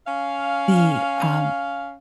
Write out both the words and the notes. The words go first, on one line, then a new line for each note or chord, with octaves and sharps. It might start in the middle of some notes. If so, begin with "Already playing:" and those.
the um
C#4 F5